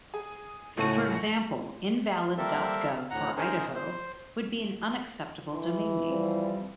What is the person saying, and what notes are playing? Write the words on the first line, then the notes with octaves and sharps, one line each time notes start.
For example, invalid dot gov for Idaho would be an unacceptable domain name.
G#4
C#2 A2 F#4 A4 D#7
G3 A#3 C4 A4 A#4 E5
D2 A2 F#5 A#5
C#4 D#4 G#4 A#4 C5
C5
E3
F3 G3 C4